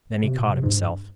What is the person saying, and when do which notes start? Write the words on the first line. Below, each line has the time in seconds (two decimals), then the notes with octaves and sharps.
Then he caught himself.
0.23 C3
0.37 A#2
0.50 C3
0.63 G#2
0.77 G2